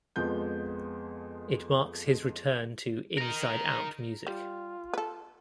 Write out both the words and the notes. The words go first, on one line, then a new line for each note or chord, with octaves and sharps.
It marks his return to Inside Out Music.
F2 F3 G#3 B3 G6
D#4 A#4
G3 F4
A4 B4